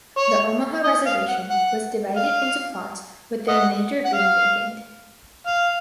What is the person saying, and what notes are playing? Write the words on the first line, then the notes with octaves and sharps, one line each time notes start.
The Omaha Reservation was divided into plots with the remainder being vacant.
C#5
D#5
F5
F#5
F#5
F5
D#5 F#5
F#5
F5
F5